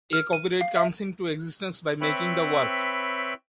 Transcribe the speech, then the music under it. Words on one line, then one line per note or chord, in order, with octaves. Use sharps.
A copyright comes into existence by making the work.
F6
D#7
F5
E5
C4 B4 C#5 E5 G5 B5